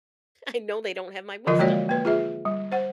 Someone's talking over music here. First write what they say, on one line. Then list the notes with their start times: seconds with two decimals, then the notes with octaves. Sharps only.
I know they don't have my wisdom.
1.47 D3 E3 F3 F4 A#4 D#5
1.59 G#3 A#3 F#4 C#5 D5 F5
1.89 A#3 B4
2.05 F4 G#4 E5
2.45 G3
2.72 C5 F#5